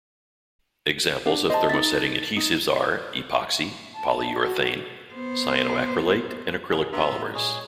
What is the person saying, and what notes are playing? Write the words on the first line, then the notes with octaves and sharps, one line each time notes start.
Examples of thermosetting adhesives are: epoxy, polyurethane, cyanoacrylate and acrylic polymers.
D4
C5 D#5 A5
D#4 E5 A6
D#4
A5
F#4
B3 C5
B2 G#4
B3 D4 E5 A#5 C6
A2
A#2 G#3 G#4 C#5